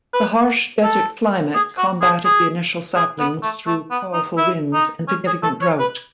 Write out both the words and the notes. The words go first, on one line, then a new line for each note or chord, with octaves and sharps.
The harsh desert climate combated the initial saplings through powerful winds and significant drought.
B4
A4
G#4
F#4
G#4
G#4
G#4
B3
A3
A3
B3
D#4
E4
D#4
C#4
G#4
A4
C#5
B4